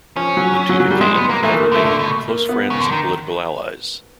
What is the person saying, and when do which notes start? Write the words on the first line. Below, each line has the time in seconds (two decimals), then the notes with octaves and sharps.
The two became, and have remained, close friends and political allies.
0.16 F3 C#4
0.37 F#3
0.69 F#3
0.80 F#3
0.91 G3
1.01 G#3 C4
1.15 B3
1.29 A#3
1.43 E3 A3
1.54 A#3
1.72 D3 A3
1.85 D3 A3
1.99 B2
2.28 A#3
2.49 B3
2.70 C#3
2.81 D3
2.91 D#3